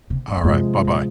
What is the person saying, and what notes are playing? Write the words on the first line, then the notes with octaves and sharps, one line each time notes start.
Alright. Bye-bye.
C3
G#2
F2
F#2 C3 F3 G#3
A#2